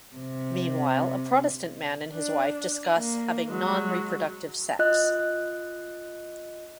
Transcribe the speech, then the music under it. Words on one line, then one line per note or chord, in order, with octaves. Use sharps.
Meanwhile, a Protestant man and his wife discuss having non-reproductive sex.
C3
D4
A#3
F#3 G#3
F4 D#5 F#6